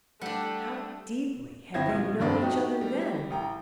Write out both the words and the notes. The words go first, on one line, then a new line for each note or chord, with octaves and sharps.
How deeply had they known each other then!
G3 A3 D4 F#5
G1 C4 E4 G#6 A#6
A#1 B2
F1 G2 D4 A4
A3 D#4 F#4 G4
G3
A1 G5 A#5